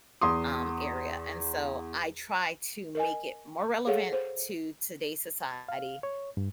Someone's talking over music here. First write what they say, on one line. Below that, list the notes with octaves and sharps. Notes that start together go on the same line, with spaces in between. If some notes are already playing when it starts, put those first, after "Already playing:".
um, area, and, so I try to make it more relevant to today's society,
E2 C6 D#6
A#4 D#5 G#5
G#4 A4 C#5 F5 F#5
C5
F5
C#5
G2